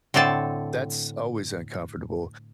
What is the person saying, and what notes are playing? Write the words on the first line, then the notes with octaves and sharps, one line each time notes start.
that's always uncomfortable,
A2 D3 C4 A4 A5